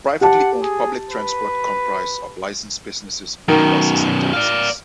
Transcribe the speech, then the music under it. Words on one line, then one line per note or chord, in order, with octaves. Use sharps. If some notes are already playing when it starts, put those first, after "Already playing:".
Privately owned public transport comprise of licenced buses, minibuses and taxis.
G4 F#5 A5
G#4
B4
F#2 B2 D#3
D5 F5